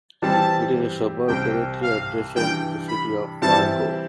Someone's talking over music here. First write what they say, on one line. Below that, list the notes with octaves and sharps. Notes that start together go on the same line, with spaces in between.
It is a suburb directly adjacent to the city of Fargo.
E3 G3 C4 G4 A5
C2 C3 G3 C4 G5
F5
G2 E3 G3 G5
B5
E3 G3 C4 E4 A5